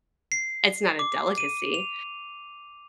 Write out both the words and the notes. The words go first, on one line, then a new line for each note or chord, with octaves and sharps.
it's not a delicacy.
C7
D6
D#7
F7